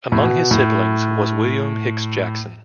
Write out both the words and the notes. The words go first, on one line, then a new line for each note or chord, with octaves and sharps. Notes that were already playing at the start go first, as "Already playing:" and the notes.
Among his siblings was William Hicks Jackson.
A2
B2
A2